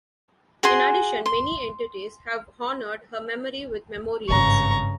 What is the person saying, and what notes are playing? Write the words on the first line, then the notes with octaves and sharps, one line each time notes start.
In addition, many entities have honored her memory with memorials.
F#4 G#4 G#5 C6
C6
G#1 G2 C#3 G#3 A#5 C#6